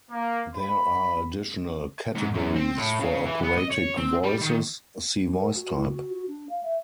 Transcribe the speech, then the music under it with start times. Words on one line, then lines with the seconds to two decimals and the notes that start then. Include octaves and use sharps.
There are additional categories for operatic voices, see voice type.
0.10 A#3
0.56 B5
2.15 G#2
2.33 F#2
2.55 C4
2.77 A2
3.00 C#3
3.26 E3
3.44 B3
3.58 D#5
3.71 C#5
3.98 C4
4.23 G3
4.41 D#3
5.39 A#4
5.56 F#4
5.76 E4
5.88 F#4
6.13 F#4
6.28 D4
6.49 F5
6.63 E5